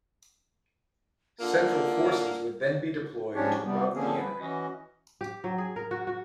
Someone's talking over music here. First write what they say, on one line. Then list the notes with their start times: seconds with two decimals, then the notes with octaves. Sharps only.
Central forces would then be deployed to rout the enemy.
1.40 D3 A#3 F4
3.35 G#2 F3 C#4 D4 G4 C#5
3.64 C3 G3 B3
3.94 D3 F3 A#3 C4 C#4 G#4
4.19 B4
4.40 E3 C#4 F#4 D#5
5.21 G4
5.44 F#3
5.58 G#4
5.76 A#4
5.91 F#4
6.07 F#4